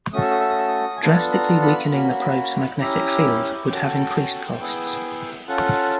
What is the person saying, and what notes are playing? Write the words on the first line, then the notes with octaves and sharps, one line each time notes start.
Drastically weakening the probe's magnetic field would have increased costs.
A3 C#4 F#4 A4 D#6
E6
D#6
E6
D#6
E6
D#6
G#5
B3 D4 F4 A4 A5
A#5
B5
A#3 C#4 F#4
C#4 E4 G4 A#5
C#4 F#4 A4 G5
B3 E4 G#4
C#4 F4 A4 F#5